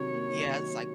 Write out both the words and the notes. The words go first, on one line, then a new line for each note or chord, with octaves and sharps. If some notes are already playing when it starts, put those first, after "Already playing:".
Yeah. It's, like
Already playing: C3 D#3 F#3 C#5
A#3
D#3
F#3